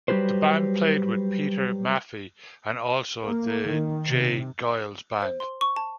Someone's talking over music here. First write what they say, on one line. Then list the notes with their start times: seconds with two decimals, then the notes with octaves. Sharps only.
The band played with Peter Maffey and also the J. Geils Band.
0.08 F#3 G3 F4 G4 B4 C5
3.25 A#3
3.65 D#3
4.07 C3
5.22 C5
5.40 C6
5.61 C#6
5.76 A5